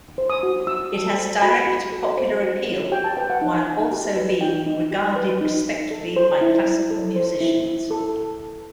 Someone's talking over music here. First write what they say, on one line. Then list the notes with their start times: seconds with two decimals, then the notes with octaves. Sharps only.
It has direct popular appeal while also being regarded respectfully by classical musicians.
0.18 C5
0.30 D#6
0.43 F#4
0.67 F#4 E6
0.93 A4
1.17 C5
1.42 F#4 B5
1.67 F#4
1.92 A4
2.17 C5
2.42 F#4
2.67 F#4
2.91 G4 G5
3.04 A5
3.17 B4 G5
3.30 F#5
3.42 D#4
3.67 D#4
3.92 G4
4.16 B4
4.41 D#4 G5
4.66 D#4
4.91 G4
5.16 B4
5.41 D#4
5.66 D#4
5.91 A4
6.16 C5
6.41 E4
6.66 E4
6.91 A4
7.16 C5
7.41 E4
7.66 E4
7.91 A4